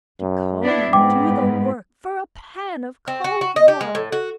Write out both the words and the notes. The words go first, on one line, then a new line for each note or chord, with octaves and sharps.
To come and do the work for a pan of cold water!
F#2
B3 D4 E4
G#2 B3 G5 D6
C4
F#4
F#4
D#5
G4
G#3
A2
F#4